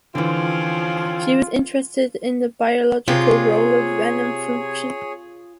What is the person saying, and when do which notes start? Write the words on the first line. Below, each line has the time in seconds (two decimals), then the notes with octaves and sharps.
She was interested in the biological role of venom function.
0.15 D3 E3 F3 C4 C#4 F4
3.08 C3 F4 G#4 C#5